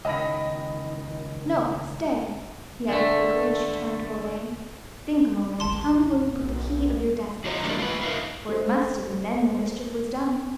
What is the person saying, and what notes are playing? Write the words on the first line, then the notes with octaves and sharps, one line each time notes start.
No, stay!" he added quickly, as she turned to obey; "think a moment and tell me where you put the key of your desk yesterday, for it must have been then the mischief was done.
C#2 D#3 D#5 B5 A#6
D3 A3
A1 D#2 A5 C6
B1
F#3 F4 D#5 A#5
E3 G3 A3 A#3 D4
F4 B4
D#4 A#4 B4 E5 F5
A3 C5